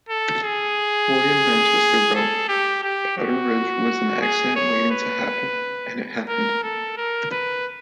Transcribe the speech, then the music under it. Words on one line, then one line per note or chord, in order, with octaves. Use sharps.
William Manchester wrote: Powder Ridge was an accident waiting to happen, and it happened.
A4
G#4
A4
G4
G4
F#4
G#4
C#5
B4
A#4
A4
A#4
B4